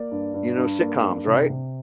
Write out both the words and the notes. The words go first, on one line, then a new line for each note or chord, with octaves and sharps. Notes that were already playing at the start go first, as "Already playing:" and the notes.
You know, sitcoms, right?
Already playing: A#3 D5
G2
G2
G2
A#3
G2
C3
C3